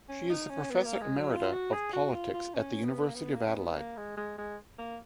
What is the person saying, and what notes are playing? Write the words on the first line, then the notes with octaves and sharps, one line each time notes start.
She is the Professor Emerita of Politics at the University of Adelaide.
C#4
D#4
C#4
B3
A#3
G#3
F#3
F4
F#4
G#4
F#4
F4
F4
C#4
B3
A#3
B3
A#3
C#4
B3
A#3
G#3
G#3
G#3
A#3